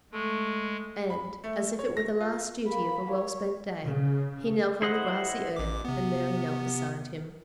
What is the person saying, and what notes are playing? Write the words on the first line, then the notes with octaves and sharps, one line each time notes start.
And, as if it were the last duty of a well-spent day, he knelt on the grassy earth, and Mary knelt beside him.
G#3 A3
B5
A3
C#5
A#6
F4
A#3 B5
C#5
C#3
E4 C5 D#5 F#5
A1 D6
C3 B3